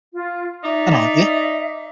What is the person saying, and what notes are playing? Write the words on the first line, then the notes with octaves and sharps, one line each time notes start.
And aren't you?
F4
D#4 D5 E5